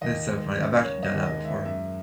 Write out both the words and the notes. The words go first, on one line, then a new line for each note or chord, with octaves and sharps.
That's so funny, I've actually done that before.
D#2 D#5
G#3
C#3
D#2 C#5
D#5
D#2
D#5
G#3
E5
F#2 E5